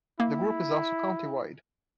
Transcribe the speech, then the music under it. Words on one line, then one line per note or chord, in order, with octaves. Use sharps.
The group is also countywide.
A#3 E4